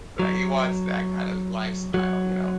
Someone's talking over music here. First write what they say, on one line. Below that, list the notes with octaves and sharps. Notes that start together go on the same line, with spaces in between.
Like, he wants that kind of lifestyle, you know?
F#3
F#3